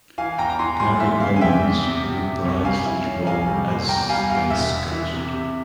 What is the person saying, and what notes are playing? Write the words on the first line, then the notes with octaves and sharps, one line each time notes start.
Gary Owens reprised his role as Space Ghost.
E3 F5 G#5
E2 G5 A#5
A#5
E3 G#5 C6
G3 G#5 C6
E2 E5
C#3 F5
G#5
E2 E5 G5
E2
C3
C3
C3
C2
G3 F5 G#5
E4
C#4
C2 F5 G#5
G3
A#2
E2 G5 A#5
G3 F5 G#5
E2 F5
E1 E5
E1
E3
C3
C3